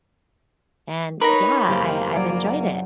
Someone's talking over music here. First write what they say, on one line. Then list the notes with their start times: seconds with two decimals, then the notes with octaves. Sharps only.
And yeah, I I've enjoyed it.
1.21 D#4 A#4 B4 C#5 A#5
1.67 F#1 A#3 G4 C5
2.15 F#3 D5